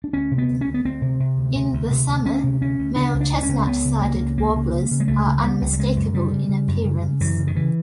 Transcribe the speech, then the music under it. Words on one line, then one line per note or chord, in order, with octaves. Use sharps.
In the summer, male chestnut-sided warblers are unmistakable in appearance.
D4
D2 C#4
C3
B3
D2
C#4
D2
B3
D2 C4
C3
C3
D2
C3
D2
C3
D2
D2 C#4
C3
D2 C#4
D2
C#3 D4
C#2
D4
C#2
C#4
C#2
C#2 B3
C#3
C#2 A#3
C#3
C#2 A#3
C#3
C#3
C#3
G#3
C#2 A3
C#3
F#3
C#3 G3
C#2
G3
C#3 G#3
F#2
C#3 G3
C#3
C#3
F#2
C#3
C#3
F#2 E3
C#3
D#3
C#3 E3